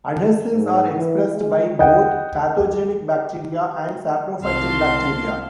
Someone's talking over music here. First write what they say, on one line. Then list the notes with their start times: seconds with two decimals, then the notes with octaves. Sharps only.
Adhesins are expressed by both pathogenic bacteria and saprophytic bacteria.
0.22 A4
0.52 G#2
0.98 E3
1.33 G#3
1.79 D#5 F#5 G5
2.58 G4
4.44 C2 F5 A5 C6